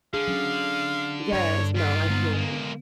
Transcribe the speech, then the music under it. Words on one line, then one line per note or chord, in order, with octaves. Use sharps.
Yes, no, I can't.
D3 G#4 F5
F#3 C#4
G2 G3 C#5 D5
D#3 F4 G4
G#2 D3 D#3 B3
G#3 A#3